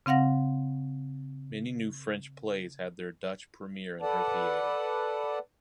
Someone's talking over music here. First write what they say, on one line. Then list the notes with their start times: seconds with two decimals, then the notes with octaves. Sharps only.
Many new French plays had their Dutch premiere in her theatre.
0.06 C#3 C4 F5 F#5 A#6
4.00 A4 B4 D5 F#5 A5